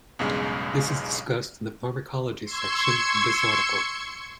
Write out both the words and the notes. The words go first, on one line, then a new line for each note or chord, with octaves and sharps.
This is discussed in the Pharmacology section of this article.
B1 E2 G2 C#3 G#3
C6 C#6 E6 G#6 C#7